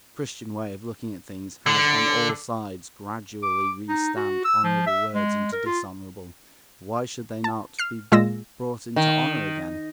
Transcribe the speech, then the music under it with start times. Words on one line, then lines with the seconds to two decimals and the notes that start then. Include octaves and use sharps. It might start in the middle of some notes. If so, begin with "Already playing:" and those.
The Christian way of looking at things has on all sides gradually re-stamped honorable words into dishonorable; why should they not be brought into honor again?
1.67 D3
3.43 D6
3.89 D#4
4.17 F#4
4.45 E6
4.64 F3
4.87 E5
5.15 G#3
5.52 A#4
5.66 F4
7.44 A5
7.79 F6 C7
8.12 A#2 G#3 F4 E6 A#6
8.96 D#3